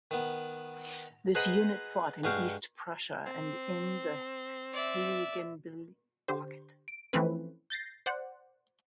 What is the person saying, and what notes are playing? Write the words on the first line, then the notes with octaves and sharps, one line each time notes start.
This unit fought in East Prussia and in the Heiligenbeil Pocket.
D#3 B3
G#4 B4 C5 D#5 F#5 A#5
G2 G#3 F#4 F5 G5
C4
D5 E5
D3 G4 C5
D7
E3 F3 A3 C4 C#4 B4
G6 A6 A#6 C7
C5 D5 F#5